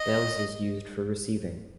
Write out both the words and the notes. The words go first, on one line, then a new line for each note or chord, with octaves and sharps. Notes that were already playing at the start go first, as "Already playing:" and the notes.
Bell's is used for receiving.
Already playing: D#5